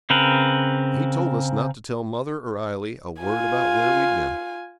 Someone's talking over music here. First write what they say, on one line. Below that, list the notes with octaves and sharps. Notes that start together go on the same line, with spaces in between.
He told us not to tell mother or Ailie a word about where we'd been.
C#3 C4 A#4 B4
F4 G#5